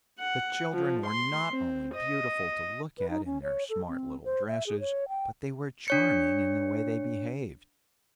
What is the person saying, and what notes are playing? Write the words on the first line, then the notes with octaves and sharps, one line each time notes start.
The children were not only beautiful to look at in their smart little dresses, but they were charming in the way they behaved.
F#5
F3
C6
C4
D#5
B4
D#4
C#4
C#5
A4
C4
C5
E5
G#4
C#5
G5
D4 C#5 C#7